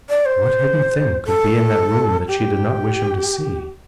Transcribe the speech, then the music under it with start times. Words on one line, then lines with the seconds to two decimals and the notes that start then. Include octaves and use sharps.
What hidden thing could be in that room that she did not wish him to see?
0.09 D5
0.26 C5
1.27 A4
2.28 G4